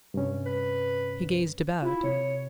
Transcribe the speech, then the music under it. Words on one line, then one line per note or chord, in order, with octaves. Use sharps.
He gazed about.
G2 C3 C#4
B4
E4 F4
C3 C#5